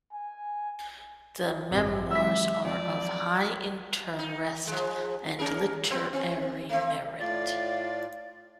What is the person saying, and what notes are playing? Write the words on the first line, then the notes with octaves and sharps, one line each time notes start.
The "Memoirs" are of high interest and literary merit.
G#5
A1 G2 C3 C4
F#3 G#3 E5 E6 B6
F2 D5
D#4
F3 G#3
C#4 G#4 A#4
B3 C4
C4
A3 C4
A2 F4 D5